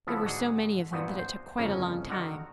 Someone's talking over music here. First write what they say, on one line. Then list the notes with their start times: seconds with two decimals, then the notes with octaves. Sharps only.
There were so many of them that it took quite a long time.
0.07 C#3 F3 B3 E4 A4
0.24 G#2 D3 F#4 G#4
0.91 G2 A#2 B3 C4 F#4 G#5
1.19 C5
1.58 G1 F2 C#3 A#3 C#4
2.10 D3 D#3 F#4 A#4